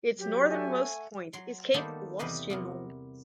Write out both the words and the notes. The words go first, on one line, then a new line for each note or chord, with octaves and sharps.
Its northernmost point is Cape Wolstenholme.
F#3 G4
A3 F#5 G#5
F#3 C6
D#3 G3 A#3 B3 A4 C5
E2 C3 G3 B4 C5 D#5
C3 B3 A#4